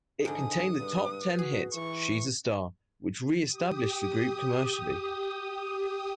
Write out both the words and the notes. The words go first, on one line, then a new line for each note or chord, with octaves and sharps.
It contained the top ten hit "She's a Star" which re-established the group commercially.
G#2 D3 G#5 D#6
G2 B4
F#4 G#4
E3 C#6
G4 D#6